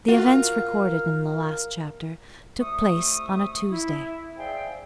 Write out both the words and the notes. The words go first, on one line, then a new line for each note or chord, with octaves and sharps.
The events recorded in the last chapter took place on a Tuesday.
F4 F#4 A#4
C2 A3 E5 C#6 D#6
E4
G#4 C5 D5 E5 F5 G5